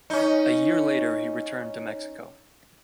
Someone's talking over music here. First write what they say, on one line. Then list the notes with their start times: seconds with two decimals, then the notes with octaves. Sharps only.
A year later he returned to Mexico.
0.10 C#4 D#4